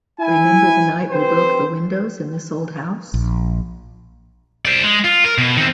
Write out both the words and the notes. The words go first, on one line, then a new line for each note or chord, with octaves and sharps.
Remember the night we broke the windows in this old house?
E4 G#5
C4 G4 B4 C5
A#1
C5 D5
G#3
F4
A#4
B2
D#3 C4